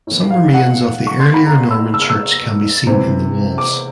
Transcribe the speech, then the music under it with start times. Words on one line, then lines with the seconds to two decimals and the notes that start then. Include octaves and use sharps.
Some remains of the earlier Norman church can be seen in the walls.
0.07 A2 E3
0.30 F5
0.54 F#5
1.07 C#6
1.20 C6
1.34 B5
1.47 A#5
1.71 E6
1.94 E6
2.02 F6
2.10 E6
2.87 C3 E3
3.58 D6